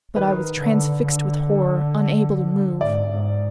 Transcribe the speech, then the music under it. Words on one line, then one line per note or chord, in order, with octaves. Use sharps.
But I was transfixed with horror, unable to move.
D#3 B4
D3
D3
G#2 D5
G#2